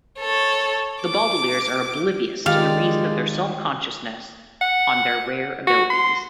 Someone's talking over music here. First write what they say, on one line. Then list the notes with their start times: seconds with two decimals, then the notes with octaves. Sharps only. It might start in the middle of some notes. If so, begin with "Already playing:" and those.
The Baudelaires are oblivious to the reason of their self-consciouness on their rare abilities.
0.19 A4 C#5
1.03 D6
2.46 D#3 G#3 F4 G4 D5 F5
4.61 F#5
5.67 F#4
5.90 C6